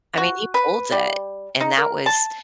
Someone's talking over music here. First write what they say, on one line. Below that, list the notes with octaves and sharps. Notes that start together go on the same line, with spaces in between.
I mean, he pulled it, and that was
F#4
B4
G3
D#4
A#4
A5